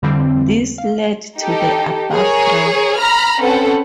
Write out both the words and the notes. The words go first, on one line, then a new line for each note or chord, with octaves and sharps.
This led to the above graph.
F2 D3 E3 G3 C4
F5
D#4 G4 A4
G#4 A#4 C#5
A#5 B5 F6
C4 C#4 A4 B4 F#5